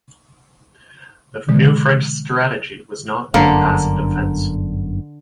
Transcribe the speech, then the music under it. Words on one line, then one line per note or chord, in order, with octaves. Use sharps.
The new French strategy was not one of passive defence.
B2 D3 E3 G#3
G1 F#2 D3 A#3 D4